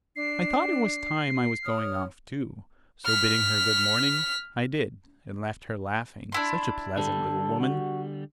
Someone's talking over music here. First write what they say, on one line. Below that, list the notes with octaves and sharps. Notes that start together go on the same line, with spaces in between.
I thought it was time I was going off too; so bidding her good morning, I did, and left her laughing--such a pleasant little woman!
D4 C7
C#5 D#6 F6
F6 B6
D4 E4 C6
D3 G3 A4
F#4